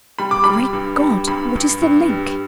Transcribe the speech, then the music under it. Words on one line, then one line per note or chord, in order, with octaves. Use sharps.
Great God! what is the link?
G3 B5
D6
G3 B5
G2
G3
G2 B5
G2
G2
G3